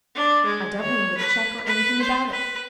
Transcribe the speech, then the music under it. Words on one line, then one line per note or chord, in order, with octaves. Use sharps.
I don't remember the cheque or anything about it.
D4
G#3
C#5
B4
B4
C5
B4